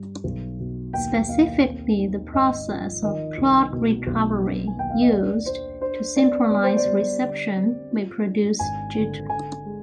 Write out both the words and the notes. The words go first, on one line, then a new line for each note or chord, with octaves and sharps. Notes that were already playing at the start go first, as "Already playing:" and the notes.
Specifically the process of clock recovery used to synchronize reception may produce jitter.
Already playing: G2 G3
B1
B2
D#2 G5
D#2 F5
C4
D#4
G#1 D#5
F3
D#3 D#5
C2
B2
B1
B3
G#5
D#2 G5
F5
D#5
D4 D5
D4 C5
D4 C5
B3 D5
B3 D5
C5
D5
G3
D3
C4
F4
D4
G#1 G#5
D3
D3 G#5
G#3